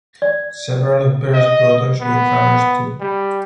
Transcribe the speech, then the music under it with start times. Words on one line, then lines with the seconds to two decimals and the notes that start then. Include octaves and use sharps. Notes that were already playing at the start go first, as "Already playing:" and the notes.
Several of Vera's brothers were drummers too.
0.22 D5
1.34 D#5
2.01 B3
3.00 G3